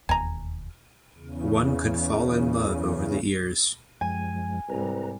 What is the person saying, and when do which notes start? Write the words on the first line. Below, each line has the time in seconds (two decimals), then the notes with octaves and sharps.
One could fall in love over the ears.
0.09 E1 D#2 G#5 A#5
1.18 E2 C#3
4.01 F#2 F3 G#3 G#5
4.70 C2 G#2 G3 B4 A#5